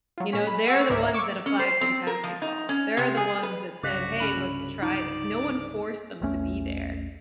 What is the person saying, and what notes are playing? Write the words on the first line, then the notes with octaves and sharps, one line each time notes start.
you know? They're the ones that applied for the casting call. They're the ones that said, "Hey, let's try this." No one forced them to be there.
F#3 F4
A#2 C#4 B6
B5
F#5 C#6 E6 A6
G1 C#2 G#2 A#4 D5 E5
C#6 D6 E6
C#4
C5
C4
A#4
F3
D#4
C#4
C3
G#4
B4
C2 G2 C#3 F#4 D6 F#6 B6
C#4 B5 F#7
D#4 D5
A#1 E2 A3 C#4